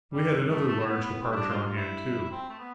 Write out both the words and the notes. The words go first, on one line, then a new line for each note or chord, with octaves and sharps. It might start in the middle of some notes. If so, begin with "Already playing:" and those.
We had another large departure on hand, too.
G2 G3
A3
A2 A3
A3
B3
B3
G2 C4
E4
D4
F4
F4
E4
C4
A3
B3